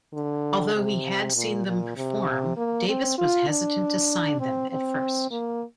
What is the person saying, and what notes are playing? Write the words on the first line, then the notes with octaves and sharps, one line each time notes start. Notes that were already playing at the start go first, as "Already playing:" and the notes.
Although he had seen them perform, Davis was hesitant to sign them at first.
D3
C3
A#2
A#2
C3
A#3
C4
F4
D4
C4
C4
A#3